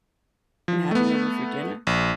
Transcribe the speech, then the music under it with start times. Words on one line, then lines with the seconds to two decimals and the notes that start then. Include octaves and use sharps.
and having over for dinner?
0.68 F3
0.91 A3 B3
1.87 A#1